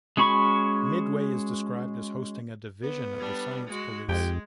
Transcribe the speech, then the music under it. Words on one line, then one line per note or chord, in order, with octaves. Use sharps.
Midway is described as hosting a "division" of the Science Police.
G#3 C#4 F#4 B5 C#6
B3
G3 D4
G#3 F#4
F2 G#3 G4